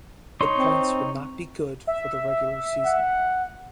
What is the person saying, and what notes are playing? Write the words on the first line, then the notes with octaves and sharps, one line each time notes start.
The points would not be good for the regular season.
D#4 C#5 C6
C4
E5
F#5